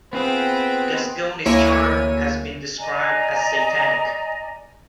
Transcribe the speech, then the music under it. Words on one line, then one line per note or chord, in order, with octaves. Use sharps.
Gousgounis charm has been described as "satanic".
B3 C4 F4 G#4 B4 G5
D2 A#3 E4 C#5 G#5 D#7
D5 D#5 G#5 A#5